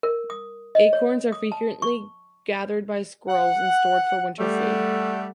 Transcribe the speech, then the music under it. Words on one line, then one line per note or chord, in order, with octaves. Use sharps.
Acorns are frequently gathered by squirrels and stored for winter food.
A#4
D#6
D#5
C#5
D#6
A5
C#6
F#5
G3 A3 F#5